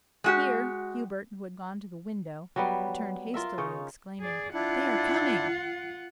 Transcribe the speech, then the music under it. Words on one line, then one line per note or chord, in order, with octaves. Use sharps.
Here Hubert, who had gone to the window, returned hastily, exclaiming, "They are coming!"
G#3 F#4 G4
F#3 G3 B3
F4 A#4 E5
C#3 D#4 C#5
G#4 D5
D4 E4 F4 F#5